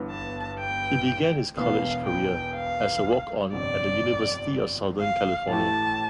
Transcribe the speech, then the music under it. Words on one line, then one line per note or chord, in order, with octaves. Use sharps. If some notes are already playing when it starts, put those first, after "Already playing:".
He began his college career as a walk-on at the University of Southern California.
Already playing: G1 G2 E3 B3
A5
G5
E1 E2 B2 B3 F5
G5
F5
G1 F2 C3 D5
F5
A2 E3 A3 E4 G4 A5